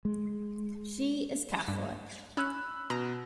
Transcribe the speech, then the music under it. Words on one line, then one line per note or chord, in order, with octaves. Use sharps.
She is Catholic.
G#3
G2
C#4 B5 E6 F#6
B2 A#5